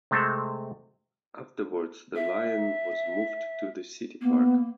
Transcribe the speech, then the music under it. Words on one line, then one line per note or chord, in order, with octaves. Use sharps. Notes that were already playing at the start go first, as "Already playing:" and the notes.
Afterwards the lion was moved to the city park.
C3 G#3 A3 C4 A4
E5
A#3 B3